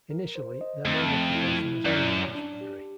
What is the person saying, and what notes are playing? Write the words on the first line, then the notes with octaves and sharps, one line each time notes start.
Initially, their main occupation was animal husbandry.
A#4
C5
D#5
F2 A3
A3
E4
E4
F#2 D5
D5
D4
G4